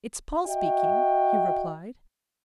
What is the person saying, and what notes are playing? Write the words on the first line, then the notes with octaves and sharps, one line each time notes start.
"It's Paul speaking," he replied.
F#4 D#5 E5 G5